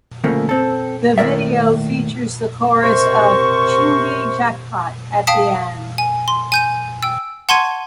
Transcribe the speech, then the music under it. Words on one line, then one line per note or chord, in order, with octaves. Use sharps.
The video features the chorus of "Chingy Jackpot" at the end.
D2 C#3 F3 A3 A#3
C4 A4
D#2 A2 C#3 A#4 D5 E5
C3 A#4 C5 C#6
F5 G5 A5 D#6 B6
G#5
C6
G#5 G6 D#7
G5 E6
F#5 A5 C6 C#6 G#6 D#7